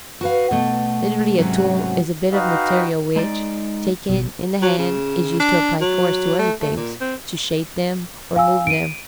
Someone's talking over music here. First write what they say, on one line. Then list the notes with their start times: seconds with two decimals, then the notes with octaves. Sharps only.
Literally a tool is a bit of material which, taken in the hand, is used to apply force to other things, to shape them or move them.
0.21 F#4 B4 F5
0.51 B2 A3
1.38 G#2 C3 F#3 A3 C#4 F#4
2.32 D#4 F#4 B4 D#5 F5 G5
3.16 G#3 D#4 D5
4.09 G#1 B2 F#3
4.62 F#3
4.79 C#3
5.40 D4
5.81 F#3
6.39 A3
6.61 A3
6.77 A#2
7.01 C4
8.36 F5 G#5 E6
8.67 D7 D#7